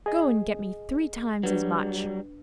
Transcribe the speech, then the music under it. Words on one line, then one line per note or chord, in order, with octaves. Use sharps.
Go and get me three times as much!'
G#4 D#5
F#3 G3 D4 B4